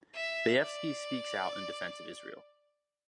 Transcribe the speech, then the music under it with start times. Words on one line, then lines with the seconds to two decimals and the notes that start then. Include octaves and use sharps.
Bayefsky speaks out in defense of Israel.
0.15 E5
0.62 D5